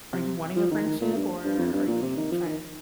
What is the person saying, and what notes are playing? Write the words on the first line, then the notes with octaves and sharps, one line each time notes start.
are you wanting a friendship, or are you try
C3
F3
D#3
D#3
A#2
G2
G2
F2
G2
A#2
C3
D#3
F3
D#3